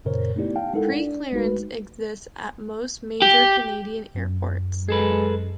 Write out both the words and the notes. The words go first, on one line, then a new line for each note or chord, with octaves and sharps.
Preclearance exists at most major Canadian airports.
F#2 A#2 C#3 A#4 C5 C#5
A3 B3 D#4 E4 G4 D5
F5 G5 A5
G#3 D#4 E4 A4 A#4 F#5
D4 D5
G1 G#3 A3 D#4 F#4 B4
G4
F#2
G#3 G#4 A4 B4